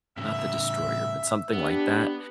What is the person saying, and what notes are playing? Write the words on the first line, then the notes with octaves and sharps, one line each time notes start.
not the destroyer but something like that.
A2 C#3 E5
B3 D4 G4